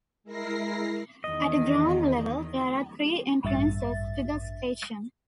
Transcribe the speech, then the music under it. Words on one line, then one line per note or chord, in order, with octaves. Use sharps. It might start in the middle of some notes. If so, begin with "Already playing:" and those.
At ground level, there are three entrances to the station.
G#3 E4 A#4 A#6 C7
E2 D#3 D#5
A1 G2 E5 A6